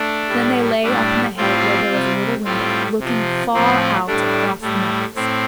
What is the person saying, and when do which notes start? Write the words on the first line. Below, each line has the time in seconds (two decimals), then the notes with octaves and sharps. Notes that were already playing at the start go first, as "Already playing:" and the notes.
Then they lay up in the hay where there was a little window, looking far out across the meadows.
Already playing: A3 D4
0.29 A2 G3
0.83 A2 G3 A3 D4
1.37 A2 G3 C4 F4
1.91 C3 G3
2.45 A2 G3 C4 F4
3.00 C3 F3
3.54 A2 F3 C4
4.07 A2 G3 A3 D4
4.62 A2 G3 A3
5.15 A2 C4